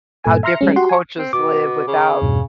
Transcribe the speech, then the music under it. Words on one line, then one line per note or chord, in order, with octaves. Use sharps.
how different cultures live without,
G2 A#2 A4 G#5
E5 A#5 C6 F6 A#6 C#7
G3 G#3 C#4
F#4 G4 F#5 C6
G#5 C#6
C4
B2 D6
C#3
E2 G2 B2